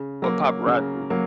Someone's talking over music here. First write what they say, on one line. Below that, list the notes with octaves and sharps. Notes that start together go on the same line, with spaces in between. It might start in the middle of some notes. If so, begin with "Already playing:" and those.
Or Paparazzi?
Already playing: C#3
F#3 A#3
C#3
F#3 A#3